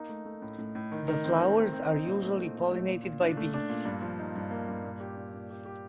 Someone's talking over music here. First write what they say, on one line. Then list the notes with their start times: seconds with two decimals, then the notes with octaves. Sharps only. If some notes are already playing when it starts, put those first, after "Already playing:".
The flowers are usually pollinated by bees.
Already playing: A#3 D#4
0.09 A3
0.25 A3
0.42 A2
0.58 A2
0.75 A2
0.92 D#3
1.08 D#3
1.24 C4
1.40 D#3
1.56 C4
1.73 C4
1.89 D#4
2.06 A#2
2.23 A3
2.39 A3
2.55 A#2
2.72 A3
2.88 A#2
3.04 A#2
3.20 D4
3.37 A3
3.54 D4
3.69 A#2
3.85 G2
4.02 F3
4.19 D#4
4.36 G2
4.51 A#3
4.68 G2
4.84 A#2
5.00 G4
5.17 A#2
5.34 A#2
5.50 G4
5.66 G4